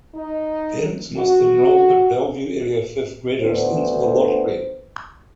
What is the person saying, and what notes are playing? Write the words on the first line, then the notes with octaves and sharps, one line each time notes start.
Parents must enroll their Bellevue-area fifth graders into the lottery.
D#4
F#4
D2 D3 B3 C5